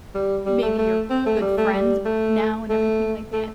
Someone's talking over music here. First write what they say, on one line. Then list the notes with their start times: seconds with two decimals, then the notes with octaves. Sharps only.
maybe you're good friends now and everything like that,
0.15 G3
0.46 G3
0.62 A3
0.78 A3
1.10 C4
1.26 A3
1.41 G3
1.57 A3
1.74 G3
2.05 A3
2.70 A3
3.33 A3